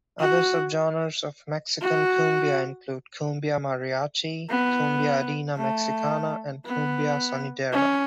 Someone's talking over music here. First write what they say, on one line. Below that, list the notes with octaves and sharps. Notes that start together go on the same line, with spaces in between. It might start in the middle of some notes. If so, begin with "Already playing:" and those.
Other subgenres of Mexican cumbia include Cumbia Mariachi, Cumbia Andina Mexicana, and Cumbia Sonidera.
F#4
F#4
B3
A3
B3
C#4